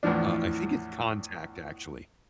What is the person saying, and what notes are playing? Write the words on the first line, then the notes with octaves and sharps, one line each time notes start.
Uh, I think it's Contact actually,
E2 A2 E3 F3 D4